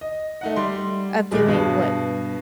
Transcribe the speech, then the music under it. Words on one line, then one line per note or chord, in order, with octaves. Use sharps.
of doing what
D#5
A3 D#4 F#5
G3 C6
D#1 G3 G#3
G2 B2